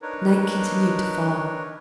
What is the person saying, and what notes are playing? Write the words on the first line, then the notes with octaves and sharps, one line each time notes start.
Night continued to fall.
D4 D#4 A#4 B4 C#5